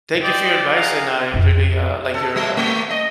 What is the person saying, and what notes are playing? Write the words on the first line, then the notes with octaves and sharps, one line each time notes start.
Thank you for your advice, and I really, uh, like your, uh
C5 D5 D#5 G5
G#4 F5 F#5 A#5
F2 F4
A4
G3
A3
D#5